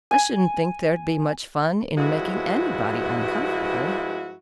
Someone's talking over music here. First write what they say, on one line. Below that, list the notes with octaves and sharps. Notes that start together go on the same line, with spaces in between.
"I shouldn't think there'd be much fun in making anybody uncomfortable."
G#5
G2 F3 G#3 E4 F#4